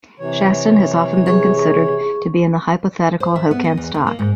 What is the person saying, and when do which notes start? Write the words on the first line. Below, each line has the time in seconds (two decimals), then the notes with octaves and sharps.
Shastan has often been considered to be in the hypothetical Hokan stock.
0.19 C3 E3 C#5
1.26 G#4 C#6
3.20 C5
3.36 E5
3.51 B3
3.64 D#5
3.77 E2
3.94 D#2
4.07 A#3
4.19 G#2